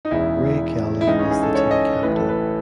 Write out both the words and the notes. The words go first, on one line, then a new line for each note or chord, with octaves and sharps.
Ray Kelly was the team captain.
D#4
E1 E2 C#3 E3 E4
E4
C#2 C#3 E3 D#4
C#4
G#4
A4
C#5
D#5
A1 A2 E3 B4
A4
B4